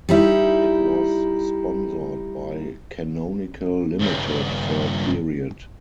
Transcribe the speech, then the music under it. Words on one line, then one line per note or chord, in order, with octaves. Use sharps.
It was sponsored by Canonical Limited, for a period.
G3 D#4 E4
G2 C#3